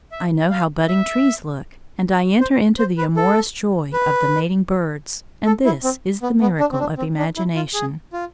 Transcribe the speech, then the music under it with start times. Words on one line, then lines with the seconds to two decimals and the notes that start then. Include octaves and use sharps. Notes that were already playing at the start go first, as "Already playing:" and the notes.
I know how budding trees look, and I enter into the amorous joy of the mating birds, and this is the miracle of imagination.
0.12 E5
0.51 F5
0.88 E5
2.41 C5
2.79 C5
2.98 B4
3.17 A4
3.93 B4
5.46 A4
5.65 E4
5.84 C4
6.23 B3
6.41 B3
6.60 D4
6.72 C4
6.79 D4
6.98 C4
7.18 D4
7.37 E4
7.55 F4
7.74 G#4
8.13 F4